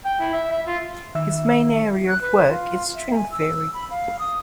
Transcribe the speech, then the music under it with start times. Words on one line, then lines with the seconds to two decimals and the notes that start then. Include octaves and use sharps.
His main area of work is String Theory.
0.05 G5
0.20 E4
0.34 E5
0.51 E5
0.67 F4
1.15 D#3 E5 E6
2.08 F#6
2.21 B4
2.49 F4
2.95 E5
3.12 G#5
3.32 E6
3.74 B5
3.90 F5
4.19 D#6